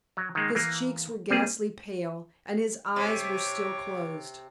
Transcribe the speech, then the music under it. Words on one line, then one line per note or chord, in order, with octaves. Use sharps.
His cheeks were ghastly pale, and his eyes were still closed.
F#3
D#3 G#3 A#3
E3 A#3
G3 A#3 C4 G#4
C3 C#5 D6